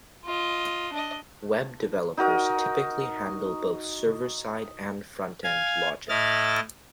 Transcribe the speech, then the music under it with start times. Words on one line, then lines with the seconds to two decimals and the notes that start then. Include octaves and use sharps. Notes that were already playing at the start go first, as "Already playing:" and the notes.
Web developers typically handle both server-side and front-end logic.
0.25 F4 D#5
0.93 D4 D#5
2.17 D#4 F#4 A#4 D#5
5.44 F5 G#5
6.09 A2 E4 D#5 F6 A6